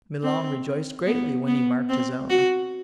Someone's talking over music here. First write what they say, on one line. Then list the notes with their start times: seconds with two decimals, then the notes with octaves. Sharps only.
Milon rejoiced greatly when he marked his own.
0.23 C4
1.06 B3
1.47 B3
1.89 C4
2.30 F#4